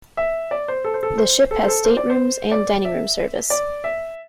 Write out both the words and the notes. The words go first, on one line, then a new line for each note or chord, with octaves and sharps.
The ship has staterooms and dining room service.
E5
D5
C5
A4
C5
A4
C5
A4
C5
A4
C5
D5
C5
D5
E5
D5
E5